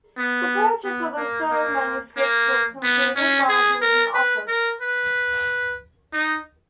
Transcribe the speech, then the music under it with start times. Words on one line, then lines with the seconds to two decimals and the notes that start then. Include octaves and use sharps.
The purchase of the Stowe manuscripts was concluded while he was in office.
0.17 B3
0.84 B3
1.17 A#3
1.51 A#3
2.17 A#3
2.83 B3
3.16 C#4
3.49 G#4
3.81 A#4
4.14 B4
4.48 A#4
4.81 B4
6.13 D#4